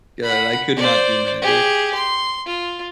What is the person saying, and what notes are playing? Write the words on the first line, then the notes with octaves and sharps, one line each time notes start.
God, I could not do Magic.
F#5 B5
C5 D5
G4 G#4
C6
F4